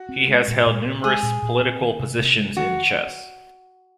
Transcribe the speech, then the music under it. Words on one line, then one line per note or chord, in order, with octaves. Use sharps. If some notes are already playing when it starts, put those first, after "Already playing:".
He has held numerous political positions in chess.
Already playing: F#4
C4
G#3
A#2
A#2
C4
G#3 G#4
A#2
A#2
C4
D#3
C3
C3
G#3
D#3 F#4